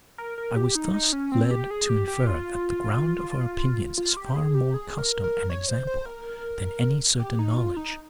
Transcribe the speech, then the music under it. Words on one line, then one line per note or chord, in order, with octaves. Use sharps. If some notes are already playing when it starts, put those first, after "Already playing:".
I was thus led to infer that the ground of our opinions is far more custom and example than any certain knowledge.
A#4
A#4
G4
D#4
D#4
C#4
C4
G4
G#4
G4
G4
F4
F4
G4
G#4
G4
G#4
A#4
A#4
C#5
C5
C5
A#4
G4
D#4
F4
D#4